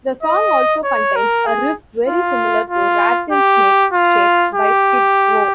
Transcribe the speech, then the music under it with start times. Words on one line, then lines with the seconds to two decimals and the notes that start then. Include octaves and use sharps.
The song also contains a riff very similar to "Rattlesnake Shake" by Skid Row.
0.23 D#5
0.85 C#5
1.16 A#4
1.46 G#4
2.08 F4
2.70 F4
3.32 G4
3.93 F4
4.55 G4